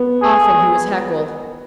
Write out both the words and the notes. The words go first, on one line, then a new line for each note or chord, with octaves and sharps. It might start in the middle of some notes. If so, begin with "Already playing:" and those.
Often he was heckled.
Already playing: B3
G#4